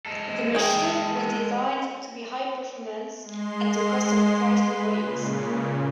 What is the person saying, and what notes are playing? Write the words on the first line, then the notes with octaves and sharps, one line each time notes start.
The machine was designed to be high-performance, at the cost of price and weight.
G#3 A4
G#4 G5
G#3 C6
B4
A#2 C#3